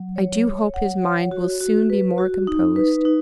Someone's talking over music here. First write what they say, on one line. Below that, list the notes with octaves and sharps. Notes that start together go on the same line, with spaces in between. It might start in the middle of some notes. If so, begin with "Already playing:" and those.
I do hope his mind will soon be more composed.
Already playing: F#3
C#5
C#5
F#5
C#5
F#4
F#4
B4
F#4
D#4
B4
D#4